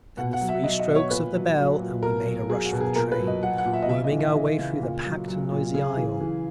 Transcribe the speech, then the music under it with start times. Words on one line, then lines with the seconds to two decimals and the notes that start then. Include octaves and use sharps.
Then the three strokes of the bell and we made a rush for the train, worming our way through the packed and noisy aisle....
0.17 B2 F#5
0.33 F#5
0.41 F#3
0.49 E5
0.64 F#3 D#5
0.79 D#5
0.87 B2
0.95 C#5
1.11 A#2 B4
1.34 F#3
1.57 F#3
1.80 A#2
2.03 B2 A#4
2.26 F#3
2.50 F#3 G#4
2.65 F#4
2.73 B2
2.80 G#4
2.96 A#2 A#4
3.12 B4
3.19 F#3
3.27 D#5
3.43 F#3 F#5
3.58 F#5
3.65 A#2
3.73 E5
3.82 D#5
3.89 C#3 E5
4.04 D#5
4.12 E3
4.19 E5
4.35 E3 D#5
4.59 C#3
4.81 A#2
5.05 F#3
5.28 F#3
5.52 A#2
5.74 C#3 G#4
5.97 E3
6.21 E3